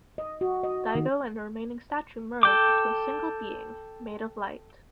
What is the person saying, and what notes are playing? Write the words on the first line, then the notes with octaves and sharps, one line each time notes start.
Daigo and the remaining statue merge into a single being, made of light.
D#5
F#4
D#5
D#3
A4 G5 D6